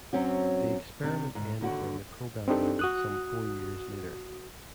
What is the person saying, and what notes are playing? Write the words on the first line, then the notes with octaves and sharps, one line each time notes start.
The experiment ended when the program ended some four years later.
F#2 F#3 C4 C#4 F#4
C3 D4
G#2
D#2 D3 F#4
C4 D4 D#4 G4 A4
F#4 D#6 F#6